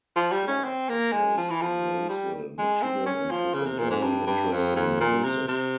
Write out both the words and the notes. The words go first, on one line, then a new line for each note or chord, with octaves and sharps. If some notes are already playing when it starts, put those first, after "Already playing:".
Clark was raised in Roseville, Michigan, and took an early interest in music.
F3
G3
C#4
C4
A#3
G#3
F3
E3
F3
G3
G#3
C4
C#4
F3
C#3
C3
A#2
G#2
G2
G2
F2
F2
A#2
C3
C3